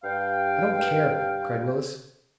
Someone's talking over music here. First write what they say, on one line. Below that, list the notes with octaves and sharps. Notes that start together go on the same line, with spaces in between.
"I don't care!" cried Willis.
G2 F5 G5